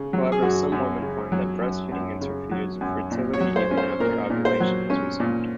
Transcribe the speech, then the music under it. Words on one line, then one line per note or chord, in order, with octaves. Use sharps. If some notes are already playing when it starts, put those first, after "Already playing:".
However, some women find that breastfeeding interferes with fertility even after ovulation has resumed.
Already playing: C#3
F#3
G#4
F#2 F#4
F#2
C#3
F#3
F#2
F#2
C#3
F#3
F#2
A#2
C#5
F#3
C5
C#4
C5
A#2 A#4
A#2
C5
F#3
C#4
A#2